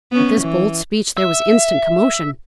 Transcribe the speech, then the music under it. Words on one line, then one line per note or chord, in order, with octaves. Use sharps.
At this bold speech there was instant commotion.
B3 C#4
E3
E5